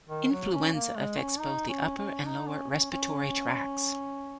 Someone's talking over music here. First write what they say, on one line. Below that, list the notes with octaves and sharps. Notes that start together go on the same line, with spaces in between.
Influenza affects both the upper and lower respiratory tracts.
D#3
F#3
C#4
A#3
G#3
C#4
D#4
C#4
C#4
D#4
C#4
C#4
C#4